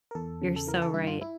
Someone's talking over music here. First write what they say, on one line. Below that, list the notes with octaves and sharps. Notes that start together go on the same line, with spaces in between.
You're so right,
A#4
E2 A4
C#3
A4
E3 A#4
A4
G2 E4
F4
E4